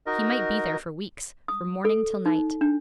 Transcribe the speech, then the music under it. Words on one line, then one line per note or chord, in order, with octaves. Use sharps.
He might be there for weeks, from morning till night.
D#4 F#4 A#4 D#5
D#6
A4
D#4
D4